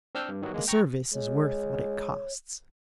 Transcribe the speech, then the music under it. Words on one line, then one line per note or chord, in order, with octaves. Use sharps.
A service is worth what it costs.
C4 D4 E6 F6 G6
G2
D#3 F#3 G3 B3 F#4
G#3 A#3
G5 A#5 C#6
G#3 C#5